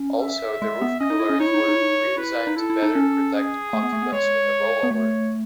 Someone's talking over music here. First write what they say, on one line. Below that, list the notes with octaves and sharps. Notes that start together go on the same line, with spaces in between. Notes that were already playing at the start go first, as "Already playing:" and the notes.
Also, the roof pillars were redesigned to better protect occupants in a rollover.
Already playing: C#4
E5
G#3
B3
C#4 D#5
D#4
E4
C#4
D#4 C#5
E4
D#4
E4
D#4
E4
D#4
F#4
E4 B4
D#4
E4 A4
E4
D#4
C#4
G#4
A3
B3
A3
B3
G#3 C#5
B3
A3 C#5